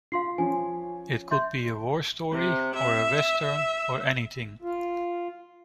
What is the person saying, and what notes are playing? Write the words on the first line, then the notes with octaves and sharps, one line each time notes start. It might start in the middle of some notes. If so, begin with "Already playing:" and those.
It could be a war story or a Western or anything.
F4 F5 C6 C7
F3 C#4 G#5
E5 C6 G6
C3
E5
E5
F4